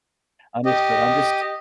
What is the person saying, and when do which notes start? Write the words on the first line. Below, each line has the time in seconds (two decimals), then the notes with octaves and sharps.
Understood, I'm just
0.65 G4 D#5